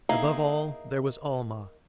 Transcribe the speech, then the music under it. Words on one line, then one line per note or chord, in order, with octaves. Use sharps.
Above all, there was Almah.
A#3 D#4 E4 G#4